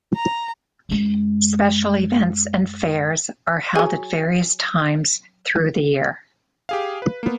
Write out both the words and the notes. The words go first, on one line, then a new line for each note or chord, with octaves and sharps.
Special events and fairs are held at various times through the year.
A#5
F#2 G#3
F#3 G#4
G4 G#4 F5
B4
A#3 B3